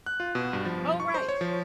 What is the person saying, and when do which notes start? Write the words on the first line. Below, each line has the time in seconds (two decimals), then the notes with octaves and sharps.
Oh, right.
0.06 F#6
0.20 F4
0.35 B2
0.53 G2
0.65 F3
1.00 C#6
1.14 C5
1.29 C#5
1.41 F3